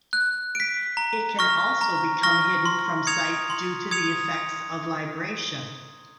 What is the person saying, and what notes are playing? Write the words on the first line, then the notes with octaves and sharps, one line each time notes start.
It can also become hidden from sight due to the effects of libration.
F#6
B6 D7
A#5
C#6 F6 A#6
A#5
C#6 F6 A#6
C6
D#6 G#6 C#7 F7
C6
D#6 G#6 C#7 F7